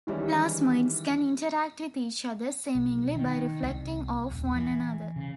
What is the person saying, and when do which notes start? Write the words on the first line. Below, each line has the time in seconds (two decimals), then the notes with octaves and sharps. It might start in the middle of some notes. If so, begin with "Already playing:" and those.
Plasmoids can interact with each other, seemingly by reflecting off one another.
0.07 D#3 E3 G3 G#3 C#4 E4
2.75 B1
3.15 D#3
3.62 C2
4.31 D#1
4.55 E3
5.16 C#3